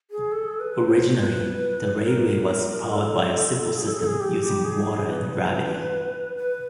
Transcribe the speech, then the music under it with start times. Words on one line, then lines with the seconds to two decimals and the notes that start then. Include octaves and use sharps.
Originally the railway was powered by a simple system using water and gravity.
0.11 G#4
0.32 A4
0.60 B4
0.89 C5
1.18 B4
2.04 A#4
2.91 A4
3.77 G#4
3.85 A4
3.93 G#4
3.99 A4
4.07 G#4
4.20 G4
4.64 G#4
5.07 B4
6.36 B4